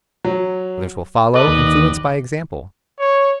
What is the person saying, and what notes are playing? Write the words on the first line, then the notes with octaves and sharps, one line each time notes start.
Others will follow, influenced by example.
F#3
A4 B4 D5 D#5
D#2
C#5